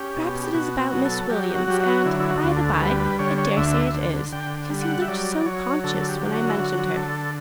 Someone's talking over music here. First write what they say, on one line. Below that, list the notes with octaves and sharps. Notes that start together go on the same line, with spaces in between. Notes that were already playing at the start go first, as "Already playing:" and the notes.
Perhaps it is about Miss Williams and, by the bye, I dare say it is, because he looked so conscious when I mentioned her.
Already playing: C#4 G4
B2
G4
B2 F#4
F#4
F#3
A4
F#3 G4
F#4
F#3 G4
F#4
D3 E4
E4
F#4
D2
A4
A4
G3 B4
B4
D3 C#5
C#5
D2 E5
D3
D3 G5
G3
F#5
E5
F#3 D5
D5
F#3 C#5
D3 A4
G4
F#3
F#4
E4
D3 F#4
D3 A4